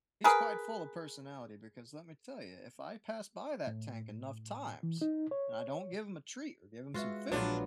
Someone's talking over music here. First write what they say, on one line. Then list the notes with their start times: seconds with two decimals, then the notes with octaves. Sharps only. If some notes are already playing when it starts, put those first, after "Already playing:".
he's quite full of personality because, let me tell you, if I pass by that tank enough times and I don't give him a treat or give him some food,
0.24 G#4 A#4 B4
3.67 A2
4.83 E3
5.01 D#4
5.31 C#5
6.94 G#3 F4 F#4 B4 E5
7.32 A#1 F#3 B3 D4 F4 B4